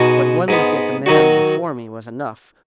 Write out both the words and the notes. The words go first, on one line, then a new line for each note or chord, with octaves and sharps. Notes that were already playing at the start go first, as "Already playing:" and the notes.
But one look at the man before me was enough.
Already playing: B2 G#3 D#4 F#4
G#2 G#3 B3
D#3 F#3 D#4 F#4